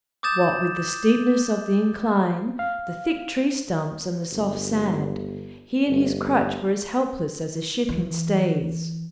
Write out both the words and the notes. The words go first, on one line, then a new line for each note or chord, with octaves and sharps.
What with the steepness of the incline, the thick tree stumps, and the soft sand, he and his crutch were as helpless as a ship in stays.
D6 D#6 G6 A6 E7
F5
G1
G1
E3